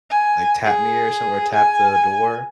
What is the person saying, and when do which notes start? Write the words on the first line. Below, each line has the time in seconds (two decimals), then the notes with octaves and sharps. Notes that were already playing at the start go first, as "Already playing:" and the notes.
like, tap me or some or tap the door.
0.10 G#5
0.64 G#4
1.53 G#5